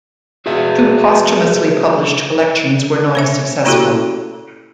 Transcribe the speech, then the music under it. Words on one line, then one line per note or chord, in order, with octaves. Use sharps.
Two posthumously published collections were not as successful.
F#4 G#4 B4 E5
C5 C#5 E5
A#3 C#4 E4 F#4 G4 A4